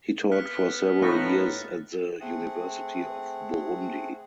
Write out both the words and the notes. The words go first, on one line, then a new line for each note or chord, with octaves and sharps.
He taught for several years at the University of Burundi.
B3 F6 F#6 B6
A2 D#4 F4 B4 F#6 A6 A#6
A3 C4 G#4 F#5